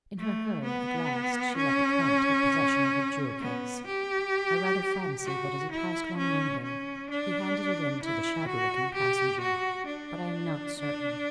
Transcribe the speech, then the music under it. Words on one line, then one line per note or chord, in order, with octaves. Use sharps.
In her hurry, at last, she let the Count take possession of her jewel-case. I rather fancy that as he passed one window he handed it in to the shabby-looking passenger; but I am not certain.
A3
B3
C#4
B3
G4
F#4
E4
C#4
C#4
D4
E4
F#4
G4
F#4
D4
D4